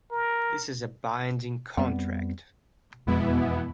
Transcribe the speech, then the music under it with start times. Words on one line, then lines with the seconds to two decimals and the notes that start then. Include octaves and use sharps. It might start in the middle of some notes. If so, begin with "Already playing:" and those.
This is a binding contract.
0.11 A#4
1.77 F2 G3 B3 C4
3.07 E1 F2 B2 E3 G#3 B3 E4